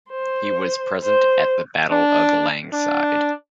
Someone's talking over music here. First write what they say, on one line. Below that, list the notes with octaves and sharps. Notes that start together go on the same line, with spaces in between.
He was present at the Battle of Langside.
C5
C5
D4
D4